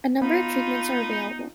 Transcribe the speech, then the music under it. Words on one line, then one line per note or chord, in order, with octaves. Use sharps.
A number of treatments are available.
B3 D#4 F4 B5